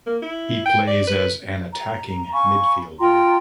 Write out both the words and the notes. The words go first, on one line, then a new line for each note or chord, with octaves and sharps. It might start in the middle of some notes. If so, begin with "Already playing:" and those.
He plays as an attacking midfielder.
A#3
E4
G5
D5
B4
A#5
F5 G#5 B5 C#6
F4 G5 A#5 C6